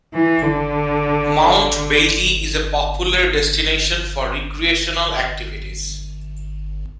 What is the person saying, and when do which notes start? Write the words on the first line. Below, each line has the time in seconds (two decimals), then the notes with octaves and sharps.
Mount Bailey is a popular destination for recreational activities.
0.14 E3
0.42 D3